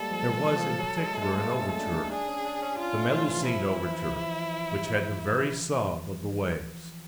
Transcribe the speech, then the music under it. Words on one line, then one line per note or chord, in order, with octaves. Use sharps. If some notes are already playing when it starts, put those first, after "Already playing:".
There was in particular an overture--the Melusine overture--which had the very sob of the waves.
Already playing: G3 G#3 A#3 A4
F3
E3
F3
F#3
G#3
A3
G#3
A#3
A3
C#4
D4
D#4
D4 G#4
C#4
D4
C#4
F4
A3
F3
E3
F3 E4
E3